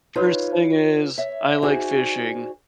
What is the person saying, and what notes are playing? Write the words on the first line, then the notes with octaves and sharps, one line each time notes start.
First thing is I like fishing,
D#4 F4 B4 C#5 F5
C#5 E5
D#4 F#4 G#4 C5 D5